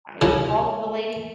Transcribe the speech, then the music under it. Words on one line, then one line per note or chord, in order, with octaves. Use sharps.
I called the lady
C2 C#3